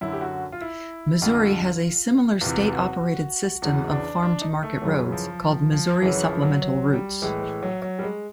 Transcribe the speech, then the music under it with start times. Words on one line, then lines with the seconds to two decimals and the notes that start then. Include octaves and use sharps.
Missouri has a similar state-operated system of farm-to-market roads, called Missouri supplemental routes.
0.01 F#2 D3 E4
0.12 G4
0.21 F#4
0.52 F4
0.61 E4
1.22 F2 D3 F4
2.41 E2 C3 E3 F4
2.72 F#4
3.62 E2 C#3 E3 F#4
3.91 D4
4.22 D4
4.41 D#4
4.63 A3
4.82 F#2 C#3 E3 F#3
5.12 F3
5.42 F3
5.72 F3
6.02 F#2 C#3 E3 F#3
6.22 F3
6.42 F#3
6.62 F#3
6.93 G3
7.22 A2 E3 G#3
7.42 G#3
7.63 F#3
7.82 F#3
7.99 G3
8.03 G#3